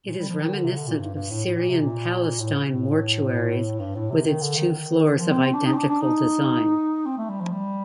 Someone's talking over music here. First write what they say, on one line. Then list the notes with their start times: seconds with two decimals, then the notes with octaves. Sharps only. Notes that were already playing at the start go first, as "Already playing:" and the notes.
It is reminiscent of Syrian-Palestine mortuaries with its two floors of identical design.
0.06 A#2
0.18 G3
0.29 F3
0.41 D#3
0.53 D3
0.64 C3
0.76 D3
0.88 A#2
0.99 G2
1.15 G2
1.31 A2
1.46 A2
1.58 A#2
1.70 C3
1.81 A#2
2.39 A2
2.70 A2
3.79 G2
3.95 A2
4.10 C3
4.26 D#3
4.41 D3
4.57 D#3
4.72 D#3
5.20 F3
5.31 C4
5.42 C4
5.54 D4
5.66 D#4
5.74 C4
5.78 D4
5.89 D4
6.01 D#4
7.06 C4
7.18 A3
7.30 G3
7.41 F3
7.52 G3